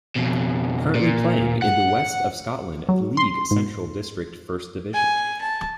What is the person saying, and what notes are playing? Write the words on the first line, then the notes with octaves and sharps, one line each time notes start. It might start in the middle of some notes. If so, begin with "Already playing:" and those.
Currently playing in the West of Scotland League Central District First Division.
F2 B2
A#2
F#5
F#3
C6
G#2
G#5
A5